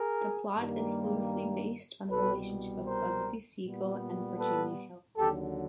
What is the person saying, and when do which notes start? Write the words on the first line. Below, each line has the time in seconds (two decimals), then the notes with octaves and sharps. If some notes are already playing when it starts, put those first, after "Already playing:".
The plot is loosely based on the relationship of Bugsy Siegel and Virginia Hill.
Already playing: G#4 A#4
0.55 G2 D#3 G3 A#3
2.09 C2 B2 G3 A4 B4
2.85 A#4 C5
3.63 A#2 G3 B3
4.40 A4 B4
5.16 D#2 D3 F#3 G4 A4